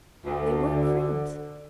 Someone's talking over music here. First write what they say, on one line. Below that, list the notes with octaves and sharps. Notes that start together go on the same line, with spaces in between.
They weren't friends.
D2
D3